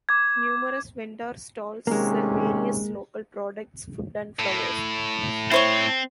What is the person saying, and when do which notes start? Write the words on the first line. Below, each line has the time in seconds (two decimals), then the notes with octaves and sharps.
Numerous vendor stalls sell various local products, food, and flowers.
0.09 D6 G#6
1.87 C3 D#3 G#3 A#3 C#4
4.39 A2
5.51 C4 E4 C5 C#5